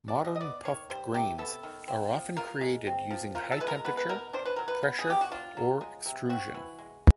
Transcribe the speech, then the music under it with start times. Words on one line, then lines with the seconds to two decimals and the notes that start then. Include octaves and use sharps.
Modern puffed grains are often created using high temperature, pressure, or extrusion.
0.08 D5
0.16 C3
0.25 D#5
0.35 D#5
0.41 B3 D5
0.65 D#3 C#5
0.90 G3 C5
1.14 C3 G4
1.38 B3 A4
1.63 D#3
1.88 C4
2.13 F3
2.37 F4 A#4
2.61 G#3
2.87 C4
3.10 F3
3.35 F4 A#4
3.52 A4
3.60 G#3 B4
3.68 A#4
3.85 B3 B4
3.97 B4
4.09 B2 A#4
4.33 D4 C5
4.45 B4
4.56 F#3 A#4
4.68 B4
4.83 B3
4.99 G#4
5.07 B2 G4
5.21 F#4
5.31 D4 F4
5.57 F#3
5.81 G#3
6.06 C3
6.29 C4 F#4
6.55 E3
6.79 G#3